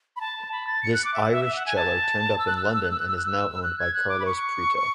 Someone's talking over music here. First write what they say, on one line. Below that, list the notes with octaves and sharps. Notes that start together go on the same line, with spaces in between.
This "Irish" cello turned up in London and is now owned by Carlos Prieto.
B5
A5
B5
A6
C#7
F#6
D6
E5
F#5
E5
E5
F#5
G#5
A5
E6
F#6
E6
F#6
E6
F#6
E6
F#6
E6
F#6
E6
F#6
G#6
F#6
D6
B5
C#6